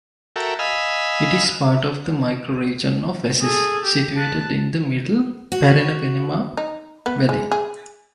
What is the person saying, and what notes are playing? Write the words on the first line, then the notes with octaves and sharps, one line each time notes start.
It is part of the Microregion of Assis, situated in the middle Paranapanema Valley.
F#4 A4 A#4 E5 G5
D#5 F5 G#5 B5 E6
G#4 A4
G4
A5 F#6
F#4
D#4
B3
G#3
G#4